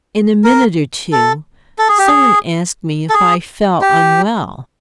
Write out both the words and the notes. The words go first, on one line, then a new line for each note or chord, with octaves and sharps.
In a minute or two, some one asked me if I felt unwell.
A#4
A4
A4
G#4
G4
G#4
A4
G#4
G4